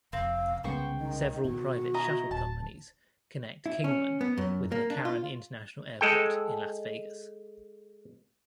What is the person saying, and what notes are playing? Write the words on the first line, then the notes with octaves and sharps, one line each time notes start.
Several private shuttle companies connect Kingman with McCarran International Airport in Las Vegas.
F1 C4 F5
C2 C#3 G#3 B3 C5 G5 C#6
D#3
B2 D#3 F#4
E4 D#5 A#5
D1 A5
E4
C#4
B3
F#2
A#3
D4
F4
G#3 A4 G5